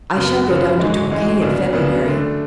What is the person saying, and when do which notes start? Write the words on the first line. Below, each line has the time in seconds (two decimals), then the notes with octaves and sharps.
I shall go down to Torquay in February.
0.15 F#2 C#3 F#3 B3 F#4
0.47 F#2 C#3 F#3 B3 F#4
0.79 G#2 E3 G#3 C#4 F#4
1.10 G#2 E3 G#3 C#4 F#4
1.42 D2 C#3 F#3 B3 D4
1.72 D2 C#3 F#3 B3 D4
2.05 D3 A3 D4